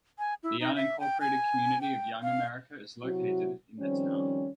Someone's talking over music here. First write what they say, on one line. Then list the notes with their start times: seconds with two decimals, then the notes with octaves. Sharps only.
The unincorporated community of Young America is located in the town.
0.19 G#5
0.43 E4
0.60 D#4
0.75 E5
1.00 G5
1.20 G#5
1.81 G5
2.23 F5
3.03 C3 F#3 E4 F#4
3.80 D#3 F3 G3 C4 C#4